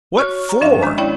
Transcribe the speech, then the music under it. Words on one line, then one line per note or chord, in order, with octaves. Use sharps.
"What FOR?"
F#4 C#5 C#6 F6
A#5
G2 F3 C#4 D4 E5 F5
D#3 G#3 D4
C#4 E4 C#5 D5 G5 B5